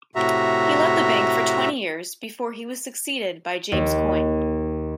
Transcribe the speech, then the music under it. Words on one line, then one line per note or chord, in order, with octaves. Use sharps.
He led the bank for twenty years before he was succeeded by James Coyne.
A2 C3 F#4 E5 A#5
D#2